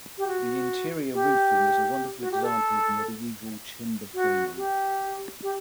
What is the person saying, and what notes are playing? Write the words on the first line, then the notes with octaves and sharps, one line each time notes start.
The interior roofing is a wonderful example of medieval timber framing.
G4
F#4
G4
F#4
G4
A4
F#4
G4
G4